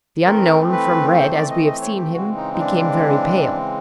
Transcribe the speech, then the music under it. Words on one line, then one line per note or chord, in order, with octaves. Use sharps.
The unknown, from red, as we have seen him, became very pale.
E3 A3 C4 A#4
B4
C5
D5
D#5
D#5
C#5
G4
C#3 E3 G#3 C4 F#4
D#4
D#4
D4